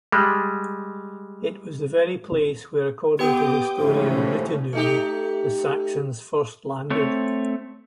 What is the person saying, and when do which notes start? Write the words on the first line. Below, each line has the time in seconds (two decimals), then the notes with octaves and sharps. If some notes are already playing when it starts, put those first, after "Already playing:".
It was the very place where, according to Historia Brittonum, the Saxons first landed.
0.12 G3 G#3
3.19 B3 G4 B4 G5 D6 D#6 G6
3.78 G#2 C#3 E3 F3 A3 C#4 C5
4.73 A3 D#4 G4
6.90 A3 C4 C#5